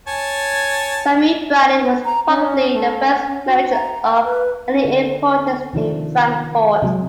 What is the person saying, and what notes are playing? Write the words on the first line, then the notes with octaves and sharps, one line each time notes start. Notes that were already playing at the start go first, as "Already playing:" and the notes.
Samuel Brady was probably the first merchant of any importance in Frankfort.
C#5 G#5 A5
A#5
C#4
A3
F#5
C#4
F#4
A#5
G5
B4
D3
C3 D#3 F3 D4
C3 F#3 G#3